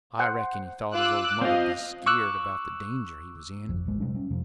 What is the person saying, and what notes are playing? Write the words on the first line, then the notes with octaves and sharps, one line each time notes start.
I reckon he thought his old mother'd be skeered about the danger he was in.
C5 F#5
F4 D6 E6 F#6
C4 F4 D#5 F5
C#6 D6 E6 F#6
G1 F2
D1 G#1 G#3
C3 G3 G#3 D4
G3 C#4
F2 C3 F3